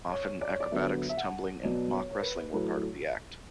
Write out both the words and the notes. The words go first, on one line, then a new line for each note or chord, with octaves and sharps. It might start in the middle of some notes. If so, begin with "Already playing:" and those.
Often acrobatics, tumbling and mock wrestling were part of the act.
C#5
D5
C#5
D5
D3 F#3 B3 E5
E5
F#5
B2 F#3 B3 D5
C#5
C#5
B4
A2 F#3 A3 B4